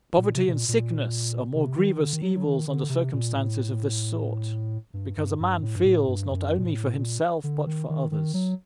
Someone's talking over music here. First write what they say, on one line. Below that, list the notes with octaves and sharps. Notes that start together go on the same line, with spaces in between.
Poverty and sickness are more grievous evils under circumstances of this sort; because a man feels not only for himself, but for others.
A#2
C3
C3
A#2
A#2
C3
D#3
D3
D#3
F#3
F#3
D#3
D3
C3
A#2
A2
G2
G2
G2
A2
G2
A2
G2
F#2
A#2
A2
A#2
D3
D#3
D#3
D#3
F#3